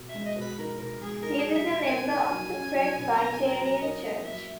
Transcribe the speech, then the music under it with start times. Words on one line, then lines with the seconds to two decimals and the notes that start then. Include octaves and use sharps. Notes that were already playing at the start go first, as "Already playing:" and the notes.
He was a member of the Presbyterian Church.
Already playing: B2
0.09 G#3 E5
0.25 D#5
0.36 B2
0.41 B4
0.58 D#4 A#4
0.79 B2 A#4
1.01 G#3 G#4
1.23 D#4 A#4
1.39 G#4
1.45 F#3
1.56 E5
1.67 B2 E5
1.88 A#3 G#5
2.09 D#4
2.31 F#3
2.53 C#4
2.74 F#3
2.96 B2
3.17 A#3 A#5
3.33 G#5
3.39 C#4
3.49 A#5
3.61 F#3
3.66 A#5
3.82 A#4 D#5
4.03 A#3 D#5
4.25 F#3 E5